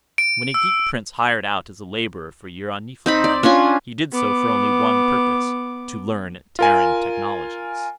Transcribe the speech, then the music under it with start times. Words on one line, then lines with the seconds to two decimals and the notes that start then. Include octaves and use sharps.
When a geek prince hired out as a laborer for a year on Niflheim, he did so for only one purpose--to learn Terran technologies.
0.18 D7
0.54 E6
3.06 C4 D#4 B5
3.24 D5
3.43 C#4 D4 F4 G#5
4.12 B3 D6
6.59 F4 A#4 G#5